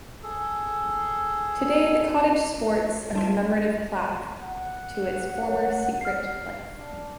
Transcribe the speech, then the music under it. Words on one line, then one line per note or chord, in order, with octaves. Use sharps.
Today the cottage sports a commemorative plaque to its former secret life.
G#4 A4
G3 D4 F4
F#5
A#4 C#5
F6 C7
D4